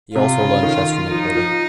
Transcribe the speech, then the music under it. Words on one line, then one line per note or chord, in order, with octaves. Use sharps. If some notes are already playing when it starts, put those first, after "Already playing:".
He also learned chess from his brother.
C3 F4
C#3
D#3
F3 D#4
F3